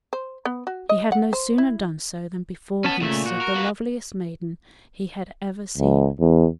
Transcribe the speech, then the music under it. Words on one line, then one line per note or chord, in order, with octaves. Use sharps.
He had no sooner done so than before him stood the loveliest maiden he had ever seen.
C5
B3
F#4
D#5
F#5
C5
E4
B3 C#4 A5
A#2 C#3 A3 E5
F#4
A#4
A#3 B4
C#2
E2